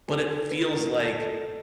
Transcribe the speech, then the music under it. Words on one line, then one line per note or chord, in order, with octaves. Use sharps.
but it feels like
G#4
A4
B4
A#4
A4
A4